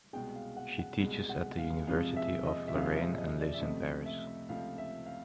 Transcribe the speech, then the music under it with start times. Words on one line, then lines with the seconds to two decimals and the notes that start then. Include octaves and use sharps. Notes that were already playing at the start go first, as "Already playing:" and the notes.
She teaches at the University of Lorraine and lives in Paris.
0.13 C2 B2 G#3 G5
0.35 F5
0.56 F#5
0.79 F#5
1.00 C2 B2 G#3
1.29 F#5
1.58 F5
1.87 F2 C3 F3 G#3 F5
2.16 E5
2.45 D#5
2.68 E5
2.75 F2 C3 F3 G#3 F5
2.96 E5
3.18 D#5
3.40 D5
3.54 E5
3.61 C#2 C3 F3 A3 D#5
4.06 E5
4.49 C#2 C3 F3 A3 F5
4.78 E5
5.06 F5